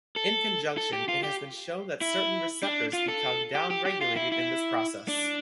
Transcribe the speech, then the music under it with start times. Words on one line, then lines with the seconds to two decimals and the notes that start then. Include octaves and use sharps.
In conjunction, it has been shown that certain receptors become down-regulated in this process.
0.16 A4
0.78 A4
0.93 G4
1.08 F4
1.24 G4
2.01 E4
2.63 D4
2.93 F4
3.08 A4
3.55 G4
3.70 G4
3.86 G4
4.01 F4
4.16 E4
4.32 E4
5.08 D4